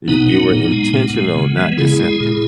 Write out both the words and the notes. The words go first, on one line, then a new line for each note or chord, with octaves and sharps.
Y you were intentional, not deceptive.
B2 B3 D#4
F#3
A#2
G#3
A#2 B3
G#3
C#3
E3 G#3
C#3 E4 G#4
G#3
A#2